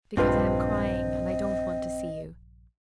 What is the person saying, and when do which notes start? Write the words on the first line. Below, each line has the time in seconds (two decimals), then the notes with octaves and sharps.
"Because I am crying, and I don't want to see you."
0.17 A#1 G2 C4 D4 F4 B4 D#5